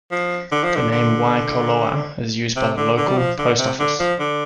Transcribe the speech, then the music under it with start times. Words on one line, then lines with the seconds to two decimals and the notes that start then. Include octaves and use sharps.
The name Waikoloa is used by the local post office.
0.11 F3
0.52 D3
0.64 F3
0.76 D3
0.92 D3
2.56 C3
2.77 D3
2.97 D3
3.08 G3
3.18 F3
3.38 D3
3.58 C3
3.79 D3
4.00 F3
4.20 D3